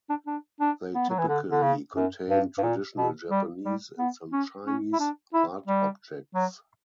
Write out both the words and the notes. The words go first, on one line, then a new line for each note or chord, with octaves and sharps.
They typically contain traditional Japanese, and some Chinese, art objects.
D4
D4
D4
B3
F#3
E3
D3
D3
C#3
F#2
G2
G2
A#2
B2
G3
G3
B3
C#4
C#4
E4
D4
E4
G3
F#3